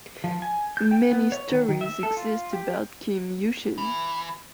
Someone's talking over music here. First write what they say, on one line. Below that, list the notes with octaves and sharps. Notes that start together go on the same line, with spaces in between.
Many stories exist about Kim Yushin.
F3
G#5
G6
G5
B3
C#5
D#3
D#3
E5
A4
F4
G4
E3